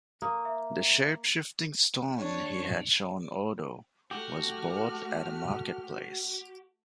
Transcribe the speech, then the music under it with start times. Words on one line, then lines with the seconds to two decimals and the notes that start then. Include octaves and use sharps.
The shapeshifting stone he had shown Odo was bought at a marketplace.
0.22 A#3 D#6
0.45 E5
2.18 D4 C#5
4.11 A3 F#4 G4 F6